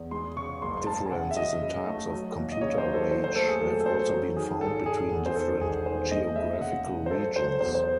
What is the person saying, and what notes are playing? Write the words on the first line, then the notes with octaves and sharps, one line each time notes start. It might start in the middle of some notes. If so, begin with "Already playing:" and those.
Differences in types of computer rage have also been found between different geographical regions.
Already playing: E2
G#3 C6
C#3 C#6
F#1 C6
C6
G#3 A5
G#5
C#3 F#5
E5
F#3 D#5
C#3
A3
F#3
D#2
D#5
C#3 C#5
C5
F#3
A4
D#2 C5
C5
A3 A4
G#4
F#3 A4
A4
F#3 C5
F#3
D#3 G#4
G#1 A4
D#3 G#4
E2
C5
D#3 A4
E1 G#4
D#3 C5
D#2 D#5
G#3 E5
C#3 F#5
C#3
C5
F#3 A4
F#3 C5
E2 C5
C5